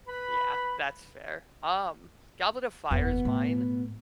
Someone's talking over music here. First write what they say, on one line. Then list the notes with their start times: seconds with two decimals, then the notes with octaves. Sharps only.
Yeah, that's fair. Um, Goblet of Fire is mine.
0.08 B4 B5
2.91 F#1 E2 B2 B3
3.25 A2